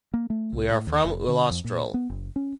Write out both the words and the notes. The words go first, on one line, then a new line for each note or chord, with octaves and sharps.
We are from Ullastrell.
A#3
A3
C2
A2
D#2
F1
D3
F2
A#2
B3
F#1
C#4